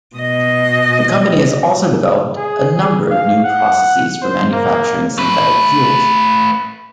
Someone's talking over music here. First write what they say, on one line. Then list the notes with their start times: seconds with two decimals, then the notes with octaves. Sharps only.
The company has also developed a number of new processes for manufacturing synthetic fuels.
0.16 B2 D#5
2.37 G#4
2.75 G#4
3.11 F5
3.44 F#5
4.22 C5
4.53 A#3
5.18 A3 B4